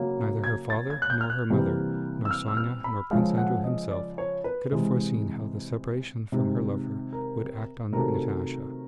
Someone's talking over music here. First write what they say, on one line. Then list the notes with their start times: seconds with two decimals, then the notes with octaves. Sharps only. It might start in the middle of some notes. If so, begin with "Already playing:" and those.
Neither her father, nor her mother, nor Sonya, nor Prince Andrew himself could have foreseen how the separation from her lover would act on Natasha.
Already playing: C#3 F#3 A#3
0.44 G#6
0.70 A6
0.90 G#6
1.02 F#6
1.10 G6
1.21 F6
1.30 F#6
1.50 C3 E3 G3 A#3
2.25 E6
2.31 F6
2.48 E6
2.57 F6
2.84 B5
3.11 C#3 F3 G#3 F5
3.38 F#5
3.64 D#5
3.91 D5
4.18 C#5
4.44 B4
4.72 C3 E3 G#3
6.32 C3 D#3 G#3
7.13 A#4
7.93 C3 D#3 F#3 A3 A#4